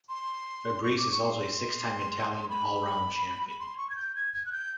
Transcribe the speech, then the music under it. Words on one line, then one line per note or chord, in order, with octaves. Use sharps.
Fabris is also a six-time Italian Allround Champion.
C6
C#6
D6
C#6
C6
B5
B5
C6
C#6
G#6
G6
G#6
G#6
F#6
G6